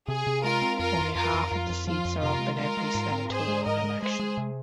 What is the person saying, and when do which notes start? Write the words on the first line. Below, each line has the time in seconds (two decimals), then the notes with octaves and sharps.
Only half of the seats are up in every senatorial election.
0.08 C3 G#4
0.27 C3
0.44 G#3 F4 A#4
0.62 C4
0.79 F2 F4 A#4
0.98 F2
1.15 F2 F4 A#4
1.34 F2
1.51 F2 F4
1.69 F2
1.87 F3 F4
2.05 F2
2.23 C3 F4 A#4
2.41 G#3
2.59 G#3 F4 A#4
2.77 G#3
2.95 G#2
3.12 C4
3.30 G#2 G#4 C5
3.48 G#3
3.66 G#2 A#4 D#5
3.84 G#3
4.01 G#3 G#4 C5
4.19 G#3
4.37 C3